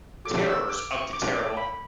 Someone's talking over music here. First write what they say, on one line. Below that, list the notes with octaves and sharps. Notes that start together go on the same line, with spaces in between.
Terrors of the terrible!
F#4 A4 C#5 D6
E6
D6
C#6
D6
D6
B5